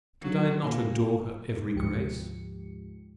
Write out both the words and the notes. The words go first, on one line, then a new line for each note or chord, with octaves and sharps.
Did I not adore her every grace?
F#3
A#2
D2 G#2 F3 G4 C#7